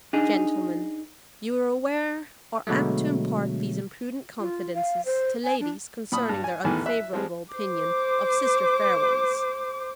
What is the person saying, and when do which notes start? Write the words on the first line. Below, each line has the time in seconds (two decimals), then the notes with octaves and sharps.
Gentlemen, you are aware, are apt to impart these imprudent confidences to ladies concerning their unfavorable opinion of sister fair ones.
0.13 D4 D#4 G#4
2.67 B2 D3 F#3 G#3 A3
4.40 F4
4.74 F5
5.06 C5
5.44 G#5
5.60 D4
6.12 A#2 B5 D#6
6.29 G2
6.44 G#5
6.64 A1 E2 D#3 E3 G#5 A5
6.86 E5 F#6
7.13 F3 G3 G#3 C4
7.53 C5 D6